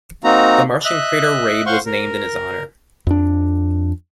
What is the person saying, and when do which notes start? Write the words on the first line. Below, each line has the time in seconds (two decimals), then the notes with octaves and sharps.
The Martian crater "Rabe" was named in his honor.
0.24 A#3 C4 D#4 F#4 A#5
0.85 D#5 E5 F#6
1.66 C5 F5 F#5 C6 C#6
1.86 A#4
3.07 F2 D4